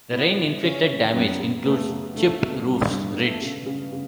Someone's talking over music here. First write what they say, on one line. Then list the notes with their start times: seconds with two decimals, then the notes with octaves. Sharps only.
The rain-inflicted damage includes chipped roof's ridge.
0.12 B3 E4
0.37 E4
0.63 C#3 C#4
0.88 C#3
1.13 F#2 B3
1.39 C#3
1.64 A3 B3
1.89 C#3
2.15 D3 A3
2.39 B3
2.66 G2
2.91 G2
3.16 A3 B3
3.41 C#3
3.66 C#3
3.92 C#3